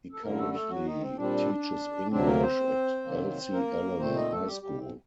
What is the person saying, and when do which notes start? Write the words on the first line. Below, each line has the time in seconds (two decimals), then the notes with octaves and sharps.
He currently teaches English at Elsie Allen High School.
0.13 A4
0.22 F#2 D3 G3 A#3 A#4
0.38 A3 A4
0.54 A3 A4
0.69 F#3 F#4
0.86 D#3 D#4
1.01 C4
1.17 A#2 G3 C4 D4
2.11 D2 C3 F#3 C4 D4
2.26 A#3 A#4
2.42 C4 C5
3.05 C3 D#3 F#3 A#3
3.53 A#3 A#4
3.99 A#2 A3 C4 C5
4.15 D#4 D#5
4.31 A3 A4
4.46 G3 G4
4.63 G3 G4
4.78 C4